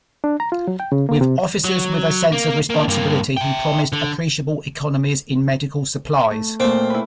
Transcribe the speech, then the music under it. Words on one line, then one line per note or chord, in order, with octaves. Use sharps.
With officers with a sense of responsibility he promised appreciable economies in medical supplies.
D4
A#5
F4
F#3
G5
C#3
A#3
C3
F#3
A#3
A#3 D4
G2 A#3
E5 G5
D3
A3
A#2 A3 C4
E4 B4